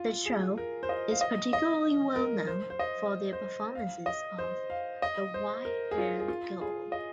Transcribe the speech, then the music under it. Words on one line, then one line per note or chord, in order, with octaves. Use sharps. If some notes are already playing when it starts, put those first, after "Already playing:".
The troupe is particularly well known for their performances of "The White Haired Girl".
Already playing: F4
G#4
A#4
C5
D#5
F5
D#5
D#5
A#4
C5
C5
D#5
C5
F5
D#5
C5
F5
D#5
C5
A#4
G#4
F4
G#4
F4
G#4
D#5